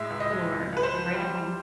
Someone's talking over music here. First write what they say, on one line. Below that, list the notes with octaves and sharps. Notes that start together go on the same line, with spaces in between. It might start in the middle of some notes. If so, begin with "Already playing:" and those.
floor right at home.
Already playing: A2 G#3 E5
C#2
D#5
G#3
C#2
C#2 B4
C5
F3
G3
G3